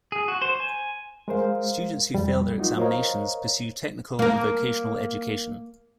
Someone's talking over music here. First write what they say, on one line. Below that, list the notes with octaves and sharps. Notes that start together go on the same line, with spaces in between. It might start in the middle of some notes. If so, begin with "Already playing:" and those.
Students who fail their examinations pursue technical and vocational education.
G#4
F#4
C5
G#5
G#3 A#4 C5 F5
C2 F2 G3
F#3 A#3 D#4 F4 F#4
A#4 C5 C#5 D#5 F5 A#5
A#3 A#4